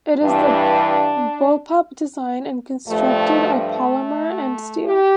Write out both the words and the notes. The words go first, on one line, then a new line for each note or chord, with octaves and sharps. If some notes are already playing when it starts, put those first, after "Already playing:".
It is of bullpup design and constructed of polymer and steel.
G2 E3 D4
G2 F3 A3
A3
G4